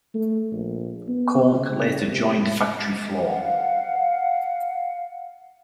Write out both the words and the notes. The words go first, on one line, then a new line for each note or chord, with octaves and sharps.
Colk later joined Factory Floor.
A3
A#1
B3
C#3
C3
F5 F#5